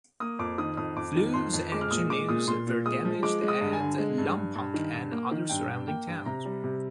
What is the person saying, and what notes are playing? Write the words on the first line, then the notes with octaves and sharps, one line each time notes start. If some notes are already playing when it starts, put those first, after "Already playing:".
Flues and chimneys were damaged at Lompoc and other surrounding towns.
A#3 D#6
F2 D6
D#3 D#6
F2 D#6
F2 D6
D#3
F2 C6
F2
G#3 D6
F6
A#2 D#6
G#3 D6
A#2 D#6
A#2 C6
A#2
G#3 D#6
F3
G#3 D6
G#3
D#6
G2
G#5
D3
G#3
G2
G2
G2
D#3
G2
A#3
D#3
G2 G5
G2
A#3 G5
G2
C3 A#5
G3
C3